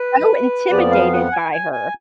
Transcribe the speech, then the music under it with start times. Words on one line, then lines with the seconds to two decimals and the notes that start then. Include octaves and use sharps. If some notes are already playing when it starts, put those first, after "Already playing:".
so intimidated by her.
Already playing: B4
0.71 F2 F3 B3 D5
0.91 F5
1.12 F#5
1.32 G#5
1.53 G#5
1.72 G#5